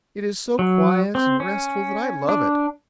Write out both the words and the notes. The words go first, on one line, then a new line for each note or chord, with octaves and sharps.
It is so quiet and restful that I love it.
F#3
C4
C#4
D4